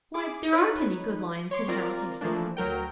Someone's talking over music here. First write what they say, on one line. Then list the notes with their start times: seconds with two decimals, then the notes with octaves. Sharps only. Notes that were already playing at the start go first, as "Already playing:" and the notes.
"Why, there aren't any good lions," said Harold, hastily.
0.14 G#4 D6
0.52 D#4 B4 C#5
1.51 C#5 C6 D6
1.68 C4 F4 A#4 D5 A#5
2.21 E3 F3 A3 A#3 D4
2.57 D2 F#3 A#4 G5